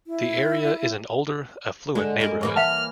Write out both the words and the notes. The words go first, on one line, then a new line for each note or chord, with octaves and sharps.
The area is an older, affluent neighbourhood.
E4
D3 G#3
G2 A#3 A#4
E3 A#3 C#5
E5 F#5 A5 F6